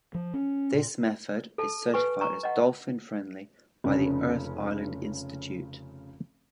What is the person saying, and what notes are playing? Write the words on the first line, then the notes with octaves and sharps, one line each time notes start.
This method is certified as "dolphin friendly" by the Earth Island Institute.
F3
C#4
A#2
A4 A5
B4 G#5 C#6
A#5 C#6
D#5 F#5
F1 C#3 C#4